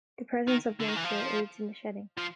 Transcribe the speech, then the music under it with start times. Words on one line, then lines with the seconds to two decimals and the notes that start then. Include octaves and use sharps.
The presence of moisture aids in the shedding.
0.47 D#3
0.80 D3
0.88 D#3
0.96 E3
1.04 F3
2.18 F3